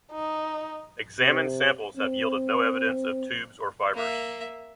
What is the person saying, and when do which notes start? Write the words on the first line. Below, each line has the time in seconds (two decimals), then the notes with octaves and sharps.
Examined samples have yielded no evidence of tubes or fibres.
0.12 D#4
1.18 C3
1.97 C4
3.94 A#3 E5